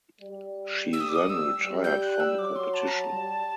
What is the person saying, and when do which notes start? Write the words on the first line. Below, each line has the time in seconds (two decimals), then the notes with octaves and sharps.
She then retired from competition.
0.21 G3
0.93 E6
1.01 D#6
1.09 D6
1.15 D#6
1.30 E6
1.66 G3
1.84 G6
2.02 F#6
2.20 E6
2.38 F#3 D6
2.56 C6
2.74 A5
2.87 A#5
2.93 A5
3.10 G3